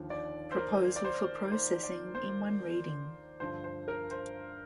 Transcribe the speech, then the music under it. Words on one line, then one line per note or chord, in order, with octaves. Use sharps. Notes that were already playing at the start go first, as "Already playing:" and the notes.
Proposal for processing in one reading.
Already playing: D#2 D3 F3
D5
C5
A#4
D5
C5
C5
D5
C5
G2 D3 F3 C5
C5
A#4
C5